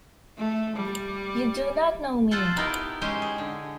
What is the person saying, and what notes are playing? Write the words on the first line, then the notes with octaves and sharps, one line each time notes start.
You do not know me?
A3
G3
F4 A4 C5 F#5 A5
B3 D#4 E4 G4 A#4
G#3 C#4 G4 C5 G#5
G#4
D3